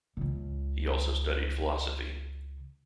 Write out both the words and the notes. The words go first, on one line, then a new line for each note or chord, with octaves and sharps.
He also studied philosophy.
C#2 C#3